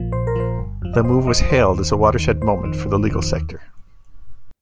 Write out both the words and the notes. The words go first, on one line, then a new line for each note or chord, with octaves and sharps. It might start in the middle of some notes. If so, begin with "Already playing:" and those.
The move was hailed as a 'watershed moment' for the legal sector.
Already playing: A#1 A#2 F3
A#1 C5
A#4
A#2 F3 C5
G1
F2 F3
D#5
G1 C5
F2 F3 D#5
D#2 C5
D#3
D#2
D#3
G1 C5
F2 D#3
G1
F2 D#3
D#2